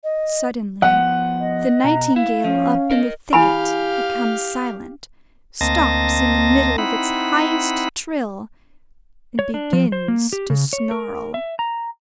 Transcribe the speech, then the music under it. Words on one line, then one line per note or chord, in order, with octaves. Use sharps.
Suddenly the nightingale up in the thicket becomes silent, stops in the middle of its highest trill, and begins to snarl.
D#5
F3 B3 F#5
D#5
B2 A#5
E4 F5
F3 C#4
A#4 D#5
E4 G4 F5 G#5 B5
D2 A#3 C4 D#5 A5 A#6
C4 D#4 E4 F#5 B5
C#5
D4
F3
C5
A#3
G4
C#3
C#5
A#4
E5
A#5